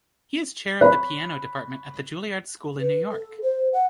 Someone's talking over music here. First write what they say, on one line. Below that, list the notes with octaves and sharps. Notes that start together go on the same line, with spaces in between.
He is chair of the piano department at the Juilliard School in New York.
C#5 B5 F#6
B4
A4
C5
F#5